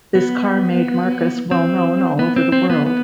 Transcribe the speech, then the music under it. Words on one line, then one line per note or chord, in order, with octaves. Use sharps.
This car made Marcus well-known all over the world.
B3
C4
B3
C4
C4
B3
B3